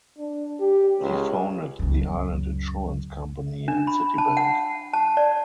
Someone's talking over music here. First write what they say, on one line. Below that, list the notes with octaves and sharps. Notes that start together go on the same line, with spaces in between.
He founded the Island Insurance company and City Bank.
D4
G4
C#2
C#2 F#2
D4
B5
A5
F#5
A5
D5